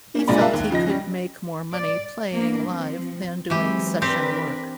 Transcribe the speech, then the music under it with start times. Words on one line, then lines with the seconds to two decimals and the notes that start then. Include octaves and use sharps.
He felt he could make more money playing live than doing session work.
0.15 A#3 C#4
0.28 B1 A#2 G#3 D4 D5 B5
0.40 A#4 E5 F5 A5 F#6
0.54 D#2
0.70 C#3 F3 D#4 A#6
0.87 G3 C#4
1.74 D5
2.34 A#3 B3 D4
2.67 F3 C4
3.50 E3 F#3 G#3 C4 G4
4.02 C4 D4 G4 A#4 B4